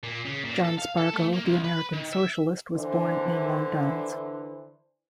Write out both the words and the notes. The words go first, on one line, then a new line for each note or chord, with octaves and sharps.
John Spargo, the American socialist, was born in Longdowns.
A#2
C#3
A#2
A4
F5
A4
A3
A#3
C2
B4
D#3
E5
D3 E3 C5